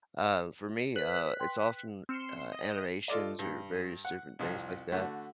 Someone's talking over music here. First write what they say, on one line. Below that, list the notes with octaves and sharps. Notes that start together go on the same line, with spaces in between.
uh, for me, uh, it's often, uh, animations or various different things like that,
B4 F#6 B6
G5 C6
C4 C6 F6 C#7 E7
D#5
F4 A4 D5 D#5
G2
F#5
C2 F2
D3 A3 F#4